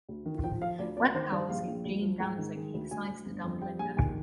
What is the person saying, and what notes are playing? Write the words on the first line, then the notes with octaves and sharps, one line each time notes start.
When Powell sees Jean dancing, he decides to dump Linda.
D2
D#3
F3 G5
F3 F5
D2 D5
C4 D5
D#3 C5
G2 D5
A#1 F5
A#1
D2
F3
G#2 G5
D#3
G#3
D2
D2 G#5
D2
G1
F2
G3 G5
A#1 G#5
D#3 G#5